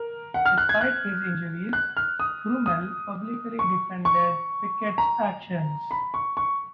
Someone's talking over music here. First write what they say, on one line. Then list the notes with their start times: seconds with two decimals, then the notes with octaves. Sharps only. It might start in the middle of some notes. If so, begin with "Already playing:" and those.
Despite his injuries, Krummel publicly defended Pickett's actions.
Already playing: A#4
0.34 F#5
0.46 F6
0.58 F#6
0.69 G#6
0.81 F#6
1.73 F#6
1.97 F6
2.20 D#6
2.66 D#6
3.59 C#6
4.05 C#6
4.98 A#5
5.91 B5
6.14 C#6
6.37 C#6